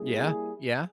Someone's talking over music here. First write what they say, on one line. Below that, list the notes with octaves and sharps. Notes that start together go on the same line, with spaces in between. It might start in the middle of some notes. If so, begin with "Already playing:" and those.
Yeah, yeah.
Already playing: G3 A#3 E4 G#4